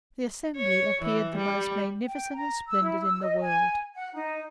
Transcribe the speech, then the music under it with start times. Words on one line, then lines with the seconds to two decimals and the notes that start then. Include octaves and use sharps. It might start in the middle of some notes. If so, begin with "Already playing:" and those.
The assembly appeared the most magnificent and splendid in the world.
0.56 C#5
1.02 E3
1.36 G3
2.07 G5
2.33 A#5
2.68 E6
2.82 E4
3.00 E6
3.21 D#5
3.41 G#5
3.95 F#5
4.14 D#4